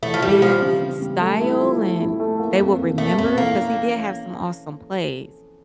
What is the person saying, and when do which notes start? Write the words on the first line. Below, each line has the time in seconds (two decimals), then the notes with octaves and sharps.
Ben's style, and they will remember, 'cause he did have some awesome plays.
0.03 E3 A3
0.14 F3
0.22 E3 G3
0.42 F3 G3
0.61 C#3
0.82 C#3
1.02 G3
1.21 A3
1.41 E4
1.60 F3
1.80 A3
2.00 E4
2.20 A3
2.40 A#3
2.59 F2
2.78 F2
2.98 A3 A#3
3.17 F2 A3
3.38 E3 A#3
3.57 C#4